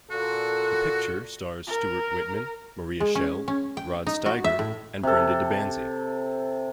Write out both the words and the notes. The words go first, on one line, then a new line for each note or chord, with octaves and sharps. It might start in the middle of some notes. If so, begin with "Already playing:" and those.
The picture stars Stuart Whitman, Maria Schell, Rod Steiger and Brenda De Banzie.
A#2 F#4 A4
A#4
G#3
C#4
C#4
G5
D#4
F#4
E5
A2
C3 A4